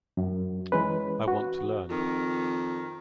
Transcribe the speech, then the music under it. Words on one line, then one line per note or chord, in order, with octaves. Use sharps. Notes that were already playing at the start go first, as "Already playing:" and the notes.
I want to learn.
F#2
E3 G#3 C#4 B4
F#4
F2 D#3